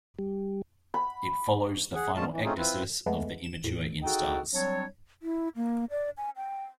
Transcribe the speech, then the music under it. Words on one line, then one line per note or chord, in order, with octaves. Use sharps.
It follows the final ecdysis of the immature instars.
G3
B5
G#4 F#5
G2 A#2 G#3 C#4 F4 A5
E3
A3 C4 C#4 D#4 F4 G#4
C4 E4 F4 B4
F2 G#3 A3 B3
E7
E2 A2
D#4 F#4 G#4 A4 D#5 G5
F#3 G3 C4 D4 C#5
E4
A#3
D5
G#5
G5